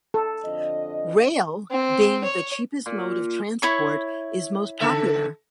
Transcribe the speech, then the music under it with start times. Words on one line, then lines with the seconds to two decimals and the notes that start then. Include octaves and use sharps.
Rail, being the cheapest mode of transport, is most popular.
0.14 A4
0.44 F2 D3 D#5
1.70 C4
2.24 C#5
2.86 A#2
3.62 E4 C#5 C#6
4.80 C#3 A4 E5